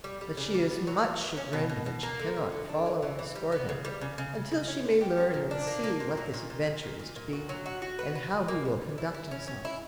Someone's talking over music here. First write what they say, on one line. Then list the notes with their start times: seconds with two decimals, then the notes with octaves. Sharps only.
But she is much chagrined that she cannot follow and escort him, until she may learn and see what this adventure is to be, and how he will conduct himself.
0.04 G3
0.21 G3
0.37 C#3
0.54 G3
0.71 B3
0.87 F#3
1.04 F#3
1.20 B3
1.37 C#4
1.53 B2
1.69 B2
1.86 B2
2.03 A#3
2.19 D3
2.36 D3
2.52 D3
2.69 D4
2.86 E3
3.02 E3
3.19 E3
3.36 G3
3.52 B3
3.69 C#3
3.85 G3
4.01 C#3
4.18 C#3
4.35 C#3
4.51 C#3
4.68 C#4
4.84 D3
5.01 G4
5.17 C#4
5.34 A#2
5.51 D4
5.67 A#3
5.84 A#3
6.00 A#2
6.17 F#3
6.34 A#2
6.50 A#2
6.66 A#2
6.83 A#2
6.99 A#2
7.16 A#2
7.33 F#4
7.49 F#3
7.66 F#4
7.82 F#4
7.99 B4
8.15 B4
8.32 B4
8.48 A#3
8.65 G3
8.81 G3
8.98 E4
9.15 E4
9.31 C#4
9.47 C#4
9.65 E4